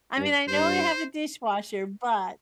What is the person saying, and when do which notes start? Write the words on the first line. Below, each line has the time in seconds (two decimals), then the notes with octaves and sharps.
mean, I know I have a dishwasher, but
0.18 G2
0.48 G2 C5